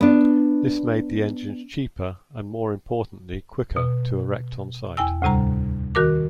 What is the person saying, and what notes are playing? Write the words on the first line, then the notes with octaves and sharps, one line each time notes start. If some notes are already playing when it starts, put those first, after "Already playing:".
This made the engines cheaper, and more importantly quicker, to erect on site.
B3 D4
B2
E2 G5 G#5 E6
D2 A2 C3 G3 A#5
D#3 F#4 A#4 D6